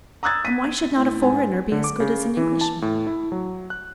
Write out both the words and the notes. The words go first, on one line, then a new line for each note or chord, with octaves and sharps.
And why should not a foreigner be as good as an Englishman?
A#5 D#6 E6 F#6 G#6 A6
B6 D#7
A2
G#2 G#5
D3
D6
C#3
E3
A5
A2
E4
F#3
F#6